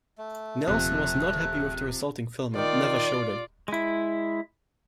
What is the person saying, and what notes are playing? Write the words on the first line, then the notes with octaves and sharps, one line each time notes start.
Nelson was not happy with the resulting film and never showed it.
A3
D#1 C3 F3 F#6
D#3 F4 D5
G#3 E4